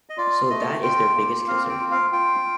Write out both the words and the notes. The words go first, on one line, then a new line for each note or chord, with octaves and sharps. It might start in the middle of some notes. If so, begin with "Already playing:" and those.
So that is their biggest concern.
D#5
F4 D5
A3 D#5
F4 G5
A#3
C4 F5
G5
F4
F5
F4 G5